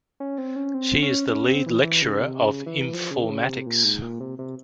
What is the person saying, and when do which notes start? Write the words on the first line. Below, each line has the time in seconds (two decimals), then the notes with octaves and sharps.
She is the lead lecturer of informatics.
0.20 C#4
0.38 C4
0.56 C#4
0.74 C4
1.02 C#4
1.29 C#4
1.48 C4
1.66 E3
1.83 E3
2.02 C#3
2.20 C3
2.38 C#3
2.66 E3
2.94 F3
3.11 C#3
3.23 E3
3.29 C#3
3.48 C3
3.66 A#2
3.84 G#2
4.02 A#2
4.20 C3
4.39 C3